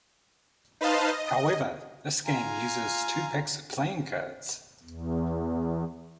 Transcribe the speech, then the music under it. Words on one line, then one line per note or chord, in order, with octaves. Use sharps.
However, this game uses two packs of playing cards.
D#4 B4 C5 D#5 F5 A5
D#5
F4 G#5 A#5
E2